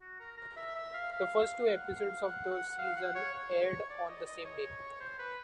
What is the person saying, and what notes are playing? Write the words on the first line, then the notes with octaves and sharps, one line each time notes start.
The first two episodes of the season aired on the same day.
F#4
A#4
A#4
E5
E5
F5
F5
F#5
F5
F#5
F#5
F5
F#5
C#5
C#5
C#5
D5
D#5
D#5
C#5
C5
B4